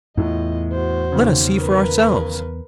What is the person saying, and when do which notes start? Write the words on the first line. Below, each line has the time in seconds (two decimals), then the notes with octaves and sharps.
"Let us see for ourselves."
0.17 E2 A2 F4 D#5
0.72 F#4 C5
1.12 D#2 C#3
1.59 A#4 B4